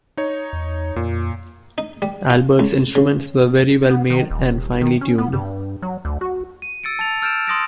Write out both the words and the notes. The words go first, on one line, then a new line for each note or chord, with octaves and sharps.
Albert's instruments were very well made, and finely tuned.
D#4 C#5
E2
F2 A#2
D#4
G3
F4
C#2
C#3
B3
D#3
D#1
D#3
C#4
B3
G2
F#3
D2
F#4
D#7
E6 A6 C#7 D7
A5 A6 F7
E6 F6 G6 A6 D7 E7
C6 D#6 A#6 D7